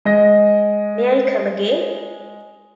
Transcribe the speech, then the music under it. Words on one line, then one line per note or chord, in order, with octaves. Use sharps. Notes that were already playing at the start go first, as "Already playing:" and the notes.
May I come again?
G#3 D#5 A#6